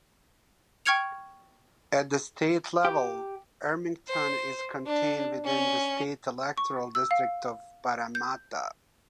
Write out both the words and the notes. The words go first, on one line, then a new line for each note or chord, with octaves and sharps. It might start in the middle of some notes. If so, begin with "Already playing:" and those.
At the state level Ermington is contained within the State Electoral District Of Parramatta.
G5 C#6 F6 G#6 C#7 F7
G4
C5
D4
C#4
C#6
E6
F5
G6